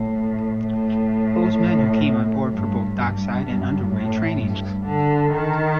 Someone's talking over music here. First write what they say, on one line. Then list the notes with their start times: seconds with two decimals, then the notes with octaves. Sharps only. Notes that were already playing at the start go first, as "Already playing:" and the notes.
Those men came on board for both dockside and underway training.
Already playing: A2
0.64 A2
2.52 G2
2.99 G2
3.92 A2
4.39 G2
4.85 D3
5.32 D#3